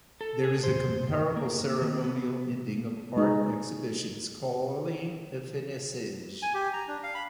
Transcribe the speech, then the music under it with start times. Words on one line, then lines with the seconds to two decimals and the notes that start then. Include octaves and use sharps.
There is a comparable ceremonial ending of art exhibitions, called a "finissage".
0.21 A4
0.44 G#4
0.63 C5
1.36 A#3
1.81 D#3
2.04 B3
3.17 G#3 D#4
6.42 G#5
6.54 G4
6.73 A#5
6.88 D4
7.03 F5
7.15 B5